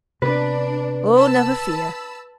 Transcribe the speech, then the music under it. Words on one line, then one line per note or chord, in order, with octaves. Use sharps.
'Oh! never fear!
C3 B3 D4 B4
A5 B5 E6